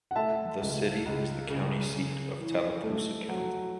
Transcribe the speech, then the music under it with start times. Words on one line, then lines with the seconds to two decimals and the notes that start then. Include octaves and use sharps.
The city is the county seat of Tallapoosa County.
0.11 F#5
0.16 A3 E5 A5
0.61 C#2
1.06 C#2
1.50 C#3
1.94 C#3
2.40 E3
2.83 A3
3.28 F#3